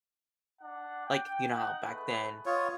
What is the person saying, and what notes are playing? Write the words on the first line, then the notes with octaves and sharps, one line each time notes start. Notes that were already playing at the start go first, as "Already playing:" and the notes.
like, you know how back then
D4 F#5
G5
D#4 F#5
A3 G#4 B4
B3 F4 C#5 D#5 D#6